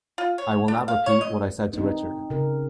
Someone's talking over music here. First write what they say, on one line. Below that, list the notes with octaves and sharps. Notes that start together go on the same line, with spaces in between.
I will not repeat what I said to Richard.
F4
C#5
D4
F5
C#5
D#5
C4 D#4
C#3 A#4